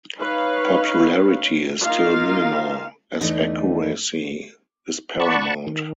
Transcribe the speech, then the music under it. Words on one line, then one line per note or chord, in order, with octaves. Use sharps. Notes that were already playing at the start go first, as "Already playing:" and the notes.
Popularity is still minimal, as accuracy is paramount.
D#4 B4 C#5 F5
A#3 D#4 F4 F5
E2 D3 E3 A3 D#4 B4
D5 F#5 A5 B5 C#6
D#3